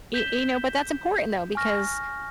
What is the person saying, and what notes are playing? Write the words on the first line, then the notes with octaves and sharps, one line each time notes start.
e e know, but that's important though, because,
G6 B6 E7 G7
G#5 C#6 F6 A#6